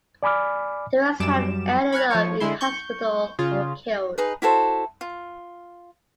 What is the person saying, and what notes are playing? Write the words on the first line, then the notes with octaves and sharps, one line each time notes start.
The rest have ended up in the hospital or killed.
D5 G#5 B5 D6 F6
F#2 G3 D6 E7
B5 C#6 F6 F#6 G#6
F3 C#5 C#6
D3 G#3 E4 C6
C#6 G6
C#3 F4 G#4
D#4 G#4 B4
E4 F#4 A4 C5
F4